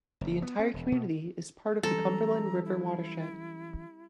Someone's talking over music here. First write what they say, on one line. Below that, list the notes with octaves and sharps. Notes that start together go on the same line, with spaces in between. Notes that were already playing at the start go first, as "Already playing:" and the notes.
The entire community is part of the Cumberland River watershed.
F#1
B3
C4
E1
B2
E3 F#3 G3 C4 C#4 A4 A#5
E4